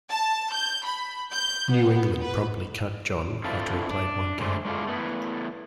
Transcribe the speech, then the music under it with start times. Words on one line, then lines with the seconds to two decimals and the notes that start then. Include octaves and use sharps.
New England promptly cut John after he played one game.
0.11 A5
0.53 G6
0.85 B5
1.33 G6
1.71 B3
2.21 B4
3.44 C4 D4 E4 F4 A4
3.91 D4
4.40 D3 G#3 A3 E4 A4 C5
4.65 G#3 A3 D4 E4 F4 A4
4.87 A3 B3 E4